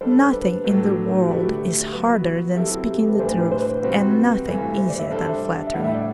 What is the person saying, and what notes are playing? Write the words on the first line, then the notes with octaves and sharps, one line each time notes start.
Nothing in the world is harder than speaking the truth and nothing easier than flattery.
G3 D4 A4 C5
B4
A2 F#3 B3 D4 A4
F#4
D3 A3 E4 G4 B4 D5
F#3 B3 F#4 B4
F#3 C4 E4 G4 A4 C5
G4
A4
B4
A2 E3 G3 D4 C5
B4
C5
C3 G3 C4 F#4 C5
B4
G2 E3 A3
C5
D5
E5
G3 D4 A4 C5
E5
A2 G3 D4 F#5
E5
D5